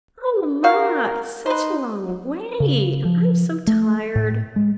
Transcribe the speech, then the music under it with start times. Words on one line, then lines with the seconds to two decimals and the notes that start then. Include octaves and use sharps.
'Oh! mamma, it's such a long way, and I am so tired.'
0.64 F#4 A#4 F5
1.46 D#4 B4 C5
2.60 C#3
3.05 F3
3.67 A3
4.15 A2
4.56 G#3